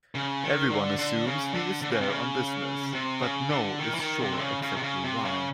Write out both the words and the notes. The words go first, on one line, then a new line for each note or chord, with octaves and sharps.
Everyone assumes he is there on business, but no is sure exactly why.
C#3
D#3
D3
D3
C#3
D3
D3
C#3
C3
C#3
C3
C#3
D3
D#3
E3
D#3
C3
D3
C#3
C#3
C3
C#3
C3
C#3